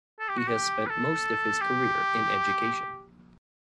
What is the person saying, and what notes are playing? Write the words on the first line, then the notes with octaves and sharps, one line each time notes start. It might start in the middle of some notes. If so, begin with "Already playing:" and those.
He has spent most of his career in education.
A4
G4
F#4
G4
B4
A4
G4